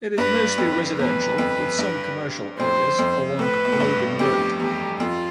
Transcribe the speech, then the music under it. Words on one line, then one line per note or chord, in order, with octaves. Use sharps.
It is mostly residential, with some commercial areas along Logan Road.
G2 B4
F2
E2 B4
F2
G2
F2 C5
F2
A2 B4
B2
A2
G2
F2 G4
E2 G4
F2 F4